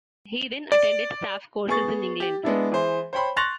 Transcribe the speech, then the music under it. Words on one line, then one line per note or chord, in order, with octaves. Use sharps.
He then attended staff courses in England.
D5
B3 G#4 C#6 A6
G4
G#3 B3 D4 E4
E3 G#4 C5
C5 C#5 G5 B5 C6
C6 C#6 F#6 A6 A#6 F7